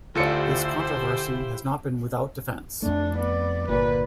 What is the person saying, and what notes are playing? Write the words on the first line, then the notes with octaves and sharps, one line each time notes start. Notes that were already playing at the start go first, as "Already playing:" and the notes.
This controversy has not been without defense.
D2 E4 F4 G4 A4 C5 D5 C#7
F2 A3 D4
B3 D5
G1 A#2 B4 D5